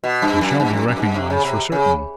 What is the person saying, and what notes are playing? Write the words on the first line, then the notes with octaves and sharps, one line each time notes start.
We shall be recognized for certain!
B2
G2
F#2
G2
F#2
F#2
G#2
G2
C3
C#3
C3
C#3